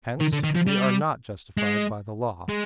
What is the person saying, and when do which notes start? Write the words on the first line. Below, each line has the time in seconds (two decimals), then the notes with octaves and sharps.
Hence, we are not justified by the Law.
0.21 D#3
0.33 D3
0.44 D#3
0.55 F3
0.67 G3
1.58 G#3
2.49 G#3